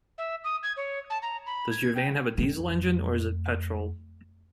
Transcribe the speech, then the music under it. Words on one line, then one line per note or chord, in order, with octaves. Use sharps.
Does your van have a diesel engine, or is it petrol?
E5
D#6
G#6
C#5
A5
A#5
B5
G#6
G5
F2 A3